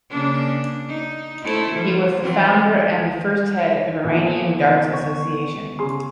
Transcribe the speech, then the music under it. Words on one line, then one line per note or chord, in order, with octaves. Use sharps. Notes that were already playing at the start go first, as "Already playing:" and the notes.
He was the founder and the first head of Iranian Darts Association.
C#3 A#3 D4
D#4
A3 E4 C5
F3
E3 F#3 C4
A#2 B3 A4 F5 G#5
F#5 C#6
C#3 G#4 C6